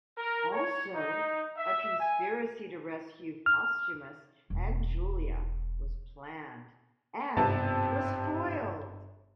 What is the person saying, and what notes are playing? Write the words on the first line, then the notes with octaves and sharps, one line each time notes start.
Also, a conspiracy to rescue Postumus and Julia was planned and was foiled.
A#4
C#5
D#4
E5
G#5
F6
E1 E3
G1 G#2 C3 B3 C4 A5